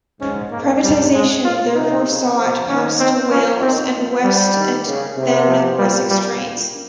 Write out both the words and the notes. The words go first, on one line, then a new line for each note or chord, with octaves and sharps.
Privatisation therefore saw it pass to Wales and West and then Wessex Trains.
G#2 C#4
G#2 A#3
G#2 G3
G#3
A#2 F4
C3 D#4
C#3
F3
D#3 C#4
C4
F3 C#4
D#3 C4
F3
F3 G3
D#3
C#3
C3
F3
A#2 G3
A#2 G3